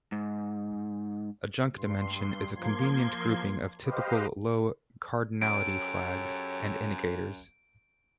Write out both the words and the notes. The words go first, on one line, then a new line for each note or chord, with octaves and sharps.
A junk dimension is a convenient grouping of typically low-cardinality flags and indicators.
G#2
G2 C6
F3 A#3 C6 G#6
G4 B4 C5 D#5 F5
F#2 G4 A4 C#5 D7